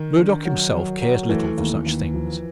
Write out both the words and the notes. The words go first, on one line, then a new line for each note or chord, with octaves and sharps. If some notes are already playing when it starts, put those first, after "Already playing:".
Murdock himself cares little for such things.
Already playing: D#3
D4
F#3
F#3
F#3
E3 A3
D#2
D#2
F3